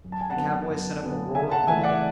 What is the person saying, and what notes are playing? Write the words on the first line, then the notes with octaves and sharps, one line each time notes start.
The cowboys set up a roar of delight.
F#2
A5
G#5
F#5 A5
D3 F#3 B3
F#2
D3 F#3 B3
C#3 E5 G#5
F#5 A5
E3 A3 E5 G#5
D5 F#5